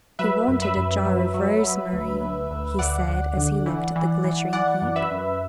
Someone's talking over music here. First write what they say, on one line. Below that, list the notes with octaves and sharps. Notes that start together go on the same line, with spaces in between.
"She wanted a jar of rosemary," he said as he looked at the glittering heap.
F#3 B4 E5
F#2
B4 E5
F#2
F#3
F#3
F#3
D2
D2
D2
D2 D5 F#5
D2
D3
E3
E3
E3
E3 D5 F#5
F#2
B4 E5
F#2